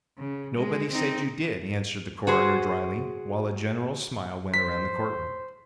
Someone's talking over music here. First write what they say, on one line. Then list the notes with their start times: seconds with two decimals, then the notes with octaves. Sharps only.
"Nobody said you did," answered the coroner dryly, while a general smile went around the courtroom.
0.18 C#3
0.57 G#3
0.92 C4 D#4
2.27 F#4 G#4 C5
4.54 C5 B6